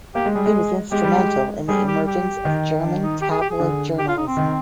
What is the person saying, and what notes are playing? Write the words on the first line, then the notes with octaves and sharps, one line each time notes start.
He was instrumental in the emergence of German tabloid journalism.
A#3 G4
G#3
G3 G#4
G#3
G#3 G4
G3
G#3
G3 G#4
G4
G4
D#3
D4
D#4
G4
G#4
G4
G#4
D3
G4
F4
D#4
C4
D#3